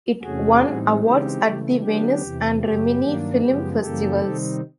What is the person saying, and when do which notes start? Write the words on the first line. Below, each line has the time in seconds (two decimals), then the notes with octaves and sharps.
It won awards at the Venice and Rimini film festivals.
0.22 E2 C3 E3 A3 C#4 F#4 G#4
0.63 A2 E3 G3 C4 D#4
1.03 C#3 E3 G#3 C4 D#4 G4
1.42 C#3 E3 A3
1.81 D3 F#3 B3 D4 G4
2.21 E2 C3 E3
2.61 F#2 C#3 F#3 G4
3.02 G2 D#3 F#3 A#3 D4
3.41 F#2 C#3 F3 G#3 B3 G4
3.81 F#2 C#3 E3 G3 A#3 G4 A4
4.21 C3 D#3 G3 C4 D#4